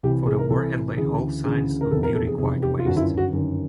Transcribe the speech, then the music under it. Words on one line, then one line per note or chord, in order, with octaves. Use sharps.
For the war had laid all signs of beauty quite waste.
C2 C3 E3 G4
G#4
A#4
C2 C3 E3 A4
D2 C#3 E3 G#4
D2 C#3 E3 G#4
A#4
F1 E2 C3 A4
A#4
A4
G#4
F1 E2 C3 G#4
G4
F4
G1 F#2 D#3 F#4
E4
F4
F#4
G1 F#2 D#3